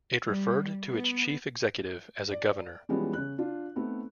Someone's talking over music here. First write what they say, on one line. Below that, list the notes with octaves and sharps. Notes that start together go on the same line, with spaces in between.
It referred to its chief executive as a "governor".
G3
B3
D5
E3 F3 G3 G#3 B3 C#4
C#3 C#4 F#6
D4 F4
A3 B3 C4 D#4